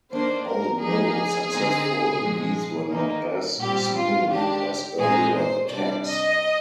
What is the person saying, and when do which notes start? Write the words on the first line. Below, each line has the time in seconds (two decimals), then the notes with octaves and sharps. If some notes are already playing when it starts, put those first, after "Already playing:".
Although successful, these were not as smooth as earlier attacks.
0.11 D#3 A#3 D4 C5
0.46 A#4
0.81 F3 A#3 D#4 G#4
1.52 D3 G#3 C4 D#4
2.21 A#2 F3 G#3
2.90 D#3 A#3 D#4
3.60 A#2 G3 C4 G4
3.96 F4
4.30 D#3 G#3 D4 G4
5.00 A#2 G#3 C4 D#4 G#4
5.35 C5
5.69 C3 G3 D4 D5
6.05 D#5